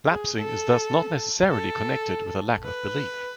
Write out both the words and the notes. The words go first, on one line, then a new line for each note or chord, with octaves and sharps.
Lapsing is thus not necessarily connected with a lack of belief.
G#4
A4
A4
B4